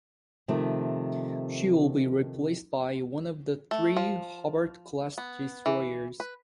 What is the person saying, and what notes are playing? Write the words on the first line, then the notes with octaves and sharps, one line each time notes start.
She will be replaced by one of the three "Hobart"-class destroyers.
C3 D#3 F3 A3
A3
F3
B3
E3
B4